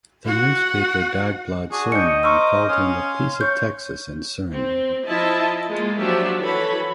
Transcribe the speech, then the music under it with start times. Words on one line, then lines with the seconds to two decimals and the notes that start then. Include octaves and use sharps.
The newspaper "Dagblad Suriname" called him "a piece of Texas in Suriname".
0.25 F#4 F#5
1.71 D4 F#4 G#4
1.92 D#5 G6 C#7
2.23 A#4 C5 C#6 D6 E6
2.69 C#4 F5 C6
3.41 C#5 G6
4.52 C4
5.07 F3 E4 F4 D#5 E5 A5
5.69 G#3 A#3 F4
5.98 F3 F#3 D4 F4 G4 E5
6.39 E3 F#4 A4 C#5 B5